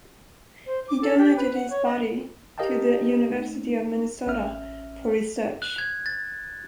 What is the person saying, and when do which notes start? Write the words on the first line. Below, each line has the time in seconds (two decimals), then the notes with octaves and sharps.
He donated his body to the University of Minnesota for research.
0.66 C5
0.88 D6
1.02 A4
1.18 G4
1.37 B4
1.55 F#5
1.70 C#5
1.86 D#5
2.58 G4 A#4 D#5 F5 G5 A5
3.30 A3 D#4
4.26 A1 C#4 E5 F6
5.62 F#6
5.78 G#6
6.06 A6